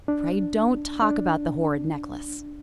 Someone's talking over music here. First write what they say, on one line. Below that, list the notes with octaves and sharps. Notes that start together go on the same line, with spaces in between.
"Pray don't talk about the horrid necklace."
D4
D4